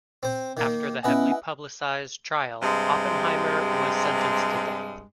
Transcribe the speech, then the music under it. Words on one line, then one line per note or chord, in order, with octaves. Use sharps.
After the heavily publicized trial, Oppenheimer was sentenced to death.
C4 C5
D#3 A#3
B3 C#4 E4 B4 D#5
G2 C3 G#3